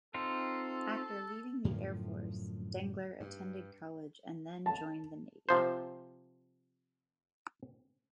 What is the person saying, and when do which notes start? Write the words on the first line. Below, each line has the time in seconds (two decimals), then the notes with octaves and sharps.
After leaving the Air Force, Dengler attended college and then joined the Navy.
0.14 C4 D#4 F4 A4
1.64 F#2 A2 D3 F3
3.20 G2
4.66 A5
5.49 C3 F3 C5